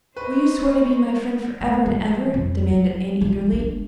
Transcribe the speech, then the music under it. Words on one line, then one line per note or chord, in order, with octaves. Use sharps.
"Will you swear to be my friend forever and ever?" demanded Anne eagerly.
D#4 B4 C5 C#6
A3
F3
F2
F#3
F3
G#3 D4